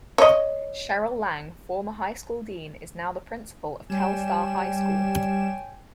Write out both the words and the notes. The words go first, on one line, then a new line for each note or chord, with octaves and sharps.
Cheryl Lang former High School Dean is now the Principal of Telstar High School.
C#5 D#5
G3 C#5 G5 G#5 E7